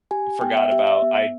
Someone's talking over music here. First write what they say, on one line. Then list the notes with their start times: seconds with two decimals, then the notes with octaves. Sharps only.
forgot about I
0.11 G4 G#5
0.41 B3 G5
0.57 E5
0.72 G4 E5
0.87 E5
1.02 B3